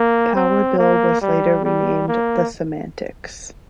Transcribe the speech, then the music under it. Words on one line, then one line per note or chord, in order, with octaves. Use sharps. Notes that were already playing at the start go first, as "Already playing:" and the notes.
Power Bill was later renamed The Semantics.
Already playing: A#3
C4
A#3
G3
G3
A#3